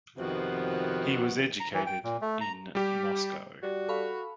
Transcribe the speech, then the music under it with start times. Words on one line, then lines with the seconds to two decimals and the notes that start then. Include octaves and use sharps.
He was educated in Moscow.
0.18 F2 C3 D#3 F3 B3 F#4
1.60 A#5
1.74 E3
1.86 G5
2.04 A#2
2.22 A3
2.41 A#5
2.75 G3 G4
3.63 G3 F#4
3.89 A4 F5 B5 C#6